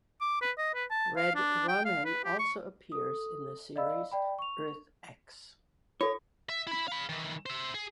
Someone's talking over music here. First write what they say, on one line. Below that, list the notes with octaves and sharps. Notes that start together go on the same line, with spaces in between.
Red Ronin also appears in the series "Earth X".
D6
B4
D#5
B4
A5
F5
D4
G5
F5
B4
G4
C#6
A4 D#6
D5 D#5 F5 B5 E6
D5 G5 B5
C#6 F7
F4 A4 C#5
E5
E4 B5
F5 B5
D#3 E3
C5 E5
G#4